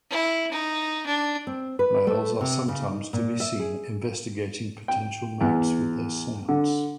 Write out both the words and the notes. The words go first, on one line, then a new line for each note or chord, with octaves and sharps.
Males are sometimes to be seen investigating potential mates with their snouts.
E4
D#4
D4
C4
B4
A3
C3
C#3
D#4
A#2
E5
G#4
G5
E2
D3